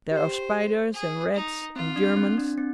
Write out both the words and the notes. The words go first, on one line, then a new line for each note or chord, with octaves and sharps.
There are spiders, and rats, and Germans.
G4 C5
G#4
D#4
C4 F4
D4
C4
D4
C4